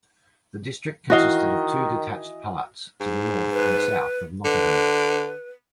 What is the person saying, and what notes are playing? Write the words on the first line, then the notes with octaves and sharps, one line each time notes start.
The district consisted of two detached parts, to the north and south of Nottingham.
D#3 E3 F#4 D#5 F5 G7
G#2
B4
D3 B4